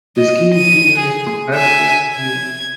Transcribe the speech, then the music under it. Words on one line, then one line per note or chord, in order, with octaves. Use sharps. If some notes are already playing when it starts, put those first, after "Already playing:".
The skiing season is from February to June.
D#5
D#7
G#4
E5 G#5
G#6